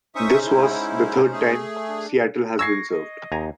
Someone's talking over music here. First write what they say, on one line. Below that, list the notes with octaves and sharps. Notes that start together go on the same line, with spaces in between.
This was the third time Seattle has been served.
C#4 D#4 C5 E5 C#6 D#6
G#2 E4
A3 G#4
D4
C#6 E6 G#6 A#6 C7
D#5
D#2 G#5 A#5